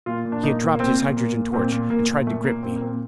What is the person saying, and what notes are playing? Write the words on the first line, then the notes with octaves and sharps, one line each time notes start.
He had dropped his hydrogen torch, and tried to grip me.
A#2 F4
A#2
D4
A#2 D#4
A#2
A#3
A#2 C4
A#2
A#2 A#3
A#2
A#2 C4
A#2
A#2 A#3
A#2
A#2 A3
A#2 A#3
A#2 C4
A#3
A#2 C4